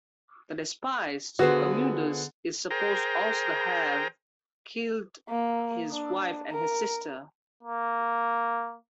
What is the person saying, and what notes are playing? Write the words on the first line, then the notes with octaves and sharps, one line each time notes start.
The despised Commodus is supposed also to have killed his wife and his sister.
D3 B3 F4 F#4 G#4 B4 C5
G#4 A#4 C5 G5 A#5
A#3
D4
A#4
A#3